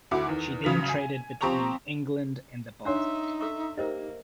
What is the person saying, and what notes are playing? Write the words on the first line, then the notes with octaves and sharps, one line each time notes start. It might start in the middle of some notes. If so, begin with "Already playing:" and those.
She then traded between England and the Baltic.
D2 E4 F#4 D6
E2 D#3
A1 C#3 F#3 B6 F7
G#5
F3 C4 G4 A#5 C#6 F7
D4 D#4 C#5 E5 F5 C6 F#6
A4 E5 C#6
A#3 G4 A#4 C5 D#5